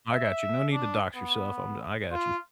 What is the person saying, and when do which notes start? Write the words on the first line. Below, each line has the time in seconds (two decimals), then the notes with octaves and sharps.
I got you, no need to dox yourself, I'm d I got you.
0.12 E5
0.73 D4
1.16 B3
2.12 F4